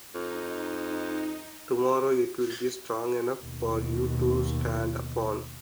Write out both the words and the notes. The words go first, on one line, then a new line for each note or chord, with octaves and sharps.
Tomorrow it will be strong enough for you to stand upon.
F2 D#4
D#2 B2